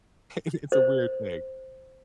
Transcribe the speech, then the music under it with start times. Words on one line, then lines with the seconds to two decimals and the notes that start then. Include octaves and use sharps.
it's a weird thing.
0.72 C5